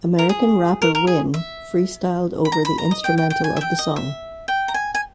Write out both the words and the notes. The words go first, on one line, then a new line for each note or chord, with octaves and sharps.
American rapper Wynne freestyled over the instrumental of the song.
A#4
G#4
A#4
A#4
G#4
E5
B5
A#5
B5
A#5
D#5
G5
G5
G5
G#5
E5
G5
D#5
E5
G5
A#5
G#5
G#5